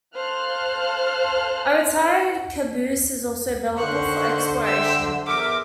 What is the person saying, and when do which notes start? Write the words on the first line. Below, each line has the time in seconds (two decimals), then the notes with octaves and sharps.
A retired caboose is also available for exploration.
0.15 A4 C5 F5 A5 F6 F#6
3.77 D3 D#3 C5 C#6 F#6
4.66 E5 G5 E6
5.27 E2 A#4 E5 D6